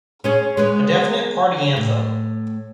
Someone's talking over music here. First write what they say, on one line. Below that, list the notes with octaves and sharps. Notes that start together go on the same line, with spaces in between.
A definite party anthem.
C#4 G#4 C#5
G#3 B3 C#5
A2